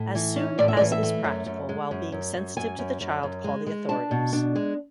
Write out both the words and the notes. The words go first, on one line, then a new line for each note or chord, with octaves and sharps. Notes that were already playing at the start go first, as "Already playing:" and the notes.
As soon as is practical, while being sensitive to the child, call the authorities.
Already playing: A2
E3
C#4
A2 D5
E5
D5
E3
E5
A3
F#2
F#2
G#3
F#2
F#2
F#2
F#2 G#5
F#2
F#2
F#2
G#3
G#3
D4 A5
B2
D4
G#3